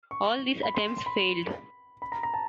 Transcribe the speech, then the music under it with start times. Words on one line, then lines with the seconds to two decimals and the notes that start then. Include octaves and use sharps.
All these attempts failed.
0.11 C#6
0.63 B5
0.75 C6
0.98 C6
1.06 B5
2.02 B5
2.12 A#5
2.23 A#5
2.34 A5